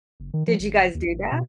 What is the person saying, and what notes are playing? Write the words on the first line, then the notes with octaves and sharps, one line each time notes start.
Did you guys do that?
F#1
D#3
F3
G#1
F#1
D#2
A1
F#1
B2